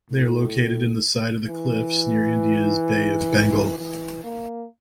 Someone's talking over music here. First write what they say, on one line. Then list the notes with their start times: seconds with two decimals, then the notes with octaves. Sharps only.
They are located in the side of the cliffs near India's Bay of Bengal.
0.10 A2
1.48 E3
3.78 E3
4.24 A#3